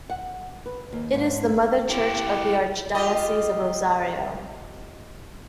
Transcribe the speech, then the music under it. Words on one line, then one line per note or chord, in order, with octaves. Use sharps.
It is the mother church of the Archdiocese of Rosario.
F#5
B4
D#2
G#2
E4 G4
F4 G4 D#5